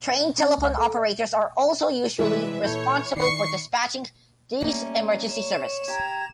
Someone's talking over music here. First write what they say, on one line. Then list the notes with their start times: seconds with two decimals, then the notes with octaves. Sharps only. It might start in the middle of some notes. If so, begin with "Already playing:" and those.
Trained telephone operators are also usually responsible for dispatching these emergency services.
0.38 C#4
0.58 C#2
0.78 A4
0.97 D#5
2.19 C3 E3 G3 G#3 B4 E5
2.64 A#2 E4 A4 C#5 G6
3.16 D#3 D5 C#6 C7 C#7
4.60 G3 A3 A#3 C#4
5.32 C#5 E7
5.88 G4 F5 G5 A#5 G#6